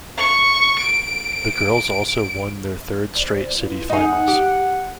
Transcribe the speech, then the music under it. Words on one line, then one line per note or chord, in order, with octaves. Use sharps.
The girls also won their third straight city finals.
C#6
D7
G1 C5 D5
E4 F4 B4
D#4 G#4 F#5
G4